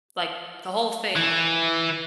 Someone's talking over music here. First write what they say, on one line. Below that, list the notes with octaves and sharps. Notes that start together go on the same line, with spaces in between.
like, the whole thing,
E3